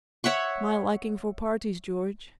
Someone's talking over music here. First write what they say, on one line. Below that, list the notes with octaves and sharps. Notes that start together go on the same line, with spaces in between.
"My liking for parties, George."
C#5 E5 F#5 C#6